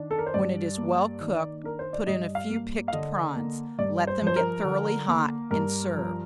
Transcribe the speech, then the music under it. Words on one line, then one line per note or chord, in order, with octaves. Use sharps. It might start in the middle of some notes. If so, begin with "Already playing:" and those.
When it is well cooked, put in a few picked prawns; let them get thoroughly hot, and serve.
Already playing: D#3 D4
A4
A#4
C5
G2 D5
A#3
D#3
D4 A#4
C5
D5
G2 D#5
F5
A#3
F5
D3 D#5
A#3
G2 D5
C5
F3
C5
A#4
D3
A#3
G2 A#4
F3